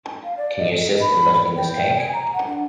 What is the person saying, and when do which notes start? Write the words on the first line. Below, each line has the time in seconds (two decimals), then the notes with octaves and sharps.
Can you assist in lifting this tank?
0.23 F5
0.37 D5
0.58 D#5
1.00 B5
1.56 G5
1.96 G#5
2.13 A#5
2.33 F#5
2.47 D4